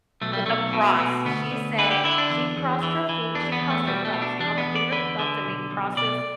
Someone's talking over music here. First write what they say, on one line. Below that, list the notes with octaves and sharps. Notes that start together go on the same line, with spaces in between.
with a cross. She said she crossed her fing she crossed her thumbs, you know, her finger, her thumbs, and made crosses
B1 A3
G3
B1 A3
B2
B2
D2 B3
D2
D3 B4
G4
D3 E4
D4
E2
E2
E3
E3
E2 D4
B3
E2
A3
B2 G3
A3
B2
D4
E2 D4
B3
E2
D5
D3 B4
D3
B1
B1
B2 D5